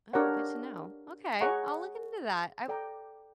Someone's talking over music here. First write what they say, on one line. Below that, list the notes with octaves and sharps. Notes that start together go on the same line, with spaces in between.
Oh, good to know. Okay, I'll look into that. I
D4 G4 A#4 C#5 F#5
G#4 C#5 F#5 A#5 C#6
A4 D5 G5 A#5